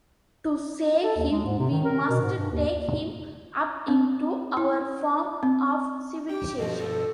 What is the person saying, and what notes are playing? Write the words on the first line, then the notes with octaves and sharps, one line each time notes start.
To save him we must take him up into our form of civilization.
A4
D#2
G#3
G#2
C3
D#3
A#4
B2
G#2
G2
D#2
C4
E4
C4
G4 G5
G2 B2 F3 D#5
A4